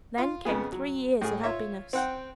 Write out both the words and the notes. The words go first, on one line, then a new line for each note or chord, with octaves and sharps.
Then came three years of happiness.
F4
F2 C#3 B3 G#4
F#3
A2 G#4
F4 C#5 E5
C4 F#5 G5